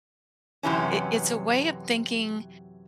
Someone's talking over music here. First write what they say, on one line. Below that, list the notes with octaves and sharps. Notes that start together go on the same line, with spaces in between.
It it's a way of thinking
F#2 C3 E3 C#4